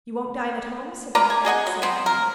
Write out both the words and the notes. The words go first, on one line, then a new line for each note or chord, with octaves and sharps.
"You won't dine at home?" said Matvey, seeing him off.
A#4 B4 D5 A#5
G#5
G#4 D#5 F#5 G#5
F#3
B3 C4
A#4